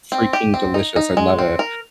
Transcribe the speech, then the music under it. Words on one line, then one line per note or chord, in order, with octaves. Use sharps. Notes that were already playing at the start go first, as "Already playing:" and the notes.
freaking delicious, I love it,
C4
G4
C4
D#4
D#4
G#3
C4
A#4